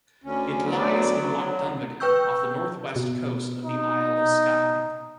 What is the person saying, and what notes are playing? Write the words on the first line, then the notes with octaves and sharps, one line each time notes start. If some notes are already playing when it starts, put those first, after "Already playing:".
It lies in Loch Dunvegan, off the northwest coast of the Isle of Skye.
D2 C#4
F#3 B3 D5
B4 G5 C#6 E6 G6
B2
D#4